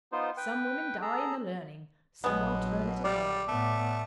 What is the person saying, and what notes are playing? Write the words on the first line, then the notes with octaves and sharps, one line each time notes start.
Some women die in the learning. Some won't learn it at all.
B3 D#4 F4 C5
B4 G5
G#4 A4 A#5 E6
A#1 B2 F#3 G#3 B3
G3 D5 F5
A2 A3 B3